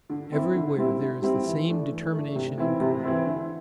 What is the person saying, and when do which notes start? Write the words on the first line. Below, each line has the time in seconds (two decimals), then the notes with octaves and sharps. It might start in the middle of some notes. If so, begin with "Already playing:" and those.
Everywhere there is the same determination and courage.
0.10 D3
0.32 C4 E4
0.55 D3
0.77 G3 C4 E4
1.00 D3
1.22 G3 C4 E4
1.45 E3
1.68 A3 D4
1.90 E3
2.13 A3 D4
2.36 C3
2.58 E3 C4 E4
2.80 C3
3.03 E3 C4 E4
3.26 D3